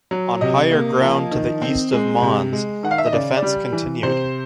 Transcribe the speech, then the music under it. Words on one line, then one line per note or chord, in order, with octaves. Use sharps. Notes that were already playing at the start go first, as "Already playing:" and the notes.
On higher ground to the east of Mons, the defence continued.
F#3
C3 D#5
A#3
F3
D#3
C4
G#3
C3
G#3
D#3 F#5
F5
E5
D#5
C#3 D5
D5
G3
E3
C3 C5